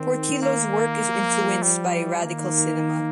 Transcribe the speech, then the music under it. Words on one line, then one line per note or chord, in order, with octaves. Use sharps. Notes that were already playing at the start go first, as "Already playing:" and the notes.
Portillo's work is influenced by radical cinema.
Already playing: D#3 C4
A#3
F3
G3
D#3 A#3